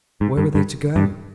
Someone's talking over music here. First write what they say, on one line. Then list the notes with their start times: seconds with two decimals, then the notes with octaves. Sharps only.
Where were they to go?
0.21 G#2
0.38 G2
0.55 G2
0.96 G2